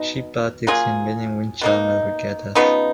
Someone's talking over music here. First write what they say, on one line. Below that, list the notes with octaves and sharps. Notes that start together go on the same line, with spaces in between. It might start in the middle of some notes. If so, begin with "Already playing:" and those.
She partakes in many windjammer regattas.
Already playing: B2 D#4
F#3 A#3 F4 G#4
B2 A#3 D#4
C#3 F3 B3 D#4